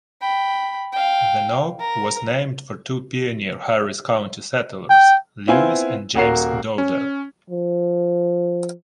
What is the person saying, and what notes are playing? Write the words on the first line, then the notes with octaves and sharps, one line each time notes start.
The knob was named for two pioneer Harris County settlers: Lewis and James Dowdell.
G5 B5
F5 G5
A#4 A#5
G5
B3 C4 E4 F4 F5 G#5
D#1 A#3 F#4 A#4 C7
C#4
F3